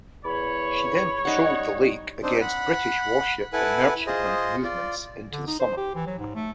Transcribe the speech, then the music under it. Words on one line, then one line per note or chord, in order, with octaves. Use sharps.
She then patrolled the Lake against British warship and merchantmen movements into the summer.
E2 C#5 B5
G3 D#4 F#5
C4 D4 D#4 C5
F#5 B5
E4 A4 B4 F#5 G#5
F4 G#4 C5 D#5
F4 D5
D3
D#4
C5
G4
E3
F#3
G#2
A3